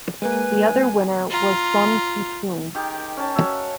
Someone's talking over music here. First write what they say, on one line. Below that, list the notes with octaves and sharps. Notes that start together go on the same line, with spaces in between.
The other winner was Sohn Kee-chung.
G#3 A#3 B4 G#5
F4 A#5
D#3 G4 G#4 A#4
C#4 A5
F#4 C#5 E5